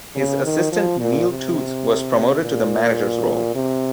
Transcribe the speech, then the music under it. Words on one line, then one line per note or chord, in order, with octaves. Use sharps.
His assistant Neil Tooth was promoted to the manager's role.
C#3
D#3
F3
A#2
C3
A#2
C3